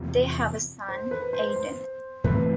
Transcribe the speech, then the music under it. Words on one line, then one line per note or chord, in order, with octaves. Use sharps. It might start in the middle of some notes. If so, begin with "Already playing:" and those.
They have a son, Aidan.
Already playing: E2 C3 F3
C5
B4
C5
C5
G#2 E3 A3 C4 B4